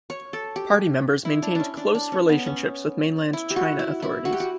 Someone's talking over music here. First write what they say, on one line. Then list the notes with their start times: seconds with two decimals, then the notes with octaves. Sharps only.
Party members maintained close relationships with Mainland China authorities.
0.10 C#5
0.33 A4
0.56 G4
1.25 E4
1.42 D4
1.55 C#4 D4
1.77 D4
1.95 D4
2.12 C#4
2.29 B3
2.46 C#4
3.33 E4
3.50 G4
3.56 F#4
3.79 E4
4.02 E4
4.25 F#4
4.33 G4
4.40 F#4